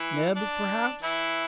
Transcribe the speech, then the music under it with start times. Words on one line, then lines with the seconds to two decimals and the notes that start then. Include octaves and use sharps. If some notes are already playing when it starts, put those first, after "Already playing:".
"Neb, perhaps?"
Already playing: E3 E4
0.36 D4
1.02 E3 E4